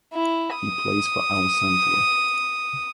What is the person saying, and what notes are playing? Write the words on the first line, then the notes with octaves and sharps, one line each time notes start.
He plays for Alessandria.
E4
D#6